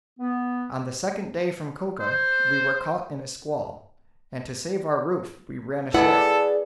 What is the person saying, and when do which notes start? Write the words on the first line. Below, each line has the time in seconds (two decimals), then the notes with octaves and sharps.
On the second day from Coca we were caught in a squall, and to save our roof we ran ashore.
0.20 B3
2.00 C5
5.94 E4 G#4 A4 B4 D5 F#5